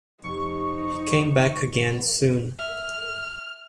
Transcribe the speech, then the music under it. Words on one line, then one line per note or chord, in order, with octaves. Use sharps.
He came back again soon.
F1 F2 D#4 C#6
E5 F6